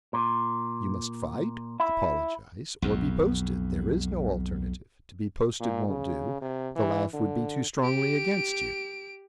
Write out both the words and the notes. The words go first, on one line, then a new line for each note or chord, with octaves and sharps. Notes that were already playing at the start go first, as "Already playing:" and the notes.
"You must fight, apologize, or be posted; there is no alternative. To be posted won't do; the laugh would be too strongly against you."
A#2
E4
B1 F2
A#2
C#3
C3
E3
D3
G4 D7